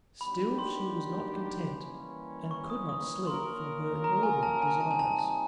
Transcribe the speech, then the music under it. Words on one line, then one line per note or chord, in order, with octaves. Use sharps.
Still she was not content, and could not sleep for her inordinate desires.
D#3 F#3 A#3 D4 G4 B5
C6
E3 G3 A#3 C#4
C#6
D#6
D#6
A#3 C#4 F4 A#4 C6
A#5
G#5
A5
G#5
A#2 G3 C4 D#4 A5
G#5
A5
A5